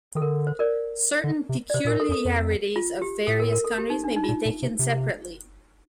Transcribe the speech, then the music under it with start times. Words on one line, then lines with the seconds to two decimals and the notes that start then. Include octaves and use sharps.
Certain peculiarities of various countries may be taken separately.
0.15 D#3 A4
0.22 D3 A#4
0.47 C5
0.59 A#4 D5
1.24 D3
1.49 C3
1.70 D5
1.74 C3 C5
1.85 A#2 A#4
1.92 A2
2.00 A4
2.09 F2
2.12 A4
2.25 F2
2.76 F4
3.02 G4
3.27 A2 A4
3.40 A#4
3.52 A#4
3.65 A4
3.78 G4
3.90 D#4
4.04 D4
4.16 D#4
4.24 F4
4.29 A#2 D#4
4.45 A#2
4.62 C3
4.79 C3